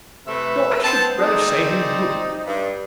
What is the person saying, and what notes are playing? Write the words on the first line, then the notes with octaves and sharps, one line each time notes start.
'No, I should rather say he wouldn't.
C3 A3 B4 E5
B3 C4 C5 G5 A5
C4 D#4 G#4 D5
G2